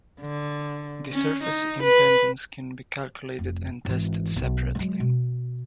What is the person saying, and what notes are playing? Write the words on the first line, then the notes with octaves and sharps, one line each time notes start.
The surface impedance can be calculated and tested separately.
D3
C#4
D#4
B4
F1
G#1 E3
B1
F#3 G#3
B2